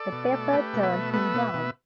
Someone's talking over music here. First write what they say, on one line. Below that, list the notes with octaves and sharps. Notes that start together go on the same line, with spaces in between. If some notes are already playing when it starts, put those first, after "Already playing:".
The paper turned him down.
Already playing: A4 D5
B2
A3
A3 G4 B4
B2
B4 E5
A3
B3 B4 E5
B2
B2